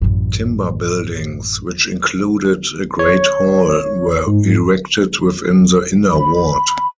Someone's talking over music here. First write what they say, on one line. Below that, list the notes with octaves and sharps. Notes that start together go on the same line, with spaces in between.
Timber buildings, which included a great hall, were erected within the inner ward.
A1 F#2
C#5
G#2
B5